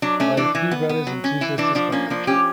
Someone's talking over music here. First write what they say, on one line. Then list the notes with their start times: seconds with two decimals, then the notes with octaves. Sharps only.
I have three brothers and two sisters, but no children.
0.02 F#3 D4
0.20 A3 C#4
0.37 E3 D4
0.55 E3
0.71 B3
0.89 B3
1.07 F#3
1.24 C#4
1.41 E3 E4
1.58 E3 D4
1.75 F3 D4
1.92 A#3 C#4
2.10 F3 D4
2.27 C#4 G4